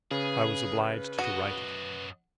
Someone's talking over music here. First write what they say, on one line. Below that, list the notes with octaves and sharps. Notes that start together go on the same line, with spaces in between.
I was obliged to write it.
C#3 G#4 B4
F#2 F#4 D#5